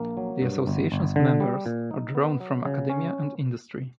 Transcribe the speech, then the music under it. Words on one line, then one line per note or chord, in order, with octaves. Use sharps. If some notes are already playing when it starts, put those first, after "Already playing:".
The association's members are drawn from academia and industry.
Already playing: A#1 A#3
F#3
G2
G1
G1
D3
G3
A#2
D#4
B3
F#3
C#3
C#4